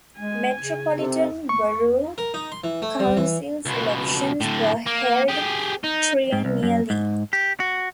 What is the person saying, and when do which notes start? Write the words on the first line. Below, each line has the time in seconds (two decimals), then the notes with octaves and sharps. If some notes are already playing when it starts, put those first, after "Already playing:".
Metropolitan borough councils elections were held triennially.
0.19 G#3 G#5
0.59 C#3
0.98 C3 A4
1.49 C#6
2.18 A#4
2.34 D#4
2.52 C6
2.64 E3
2.82 A3
3.00 G3
3.17 E3
3.66 C#2 B2
4.41 A2 D3
4.87 A#3
5.28 G4 G#4
5.84 D#4
6.32 G#2
6.45 C2
6.63 F#2
6.90 G#2
7.33 G4
7.60 F#4